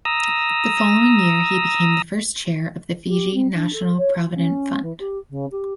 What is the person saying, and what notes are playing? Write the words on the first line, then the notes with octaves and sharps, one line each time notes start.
The following year he became the first chair of the Fiji National Provident Fund.
A#5 D#6 E6
G4
C4
D4
A4
C#5
F4
C#4
E3
G4
C#3
G4